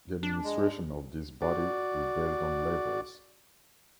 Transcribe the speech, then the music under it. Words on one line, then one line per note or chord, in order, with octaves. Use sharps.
The administration of this body is based on levels.
D4
G#3
F#4 D5